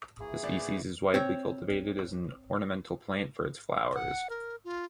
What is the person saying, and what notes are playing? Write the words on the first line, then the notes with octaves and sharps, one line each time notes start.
The species is widely cultivated as an ornamental plant for its flowers.
E3 A#3 F#4 G#4
G#1 D5
C4 C#5 E5
F#5
A#4
F4